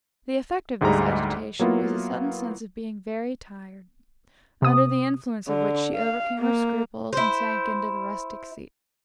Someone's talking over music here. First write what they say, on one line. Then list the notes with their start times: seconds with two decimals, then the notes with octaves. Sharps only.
The effect of this agitation was a sudden sense of being very tired, under the influence of which she overcame her scruples and sank into the rustic seat.
0.81 D2 G#2 G3 G#3 A#5
1.59 F#3 A#3 B3 E4 F4
4.62 C3 D#6
5.48 D3
5.95 F5
6.39 A#3
7.13 E4 C5